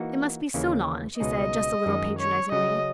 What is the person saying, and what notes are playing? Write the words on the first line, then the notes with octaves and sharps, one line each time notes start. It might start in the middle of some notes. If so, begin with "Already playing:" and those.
"It must be sewn on," she said, just a little patronisingly.
Already playing: E3 A#3 D#4 F#4
D#2 C#3 E3 A#3 C#4
C#2 B2 G#3 D#4 G#4 D#5
F#2 D#3 G#3 D#4
C#5
C#3 F#3 C#4 D#5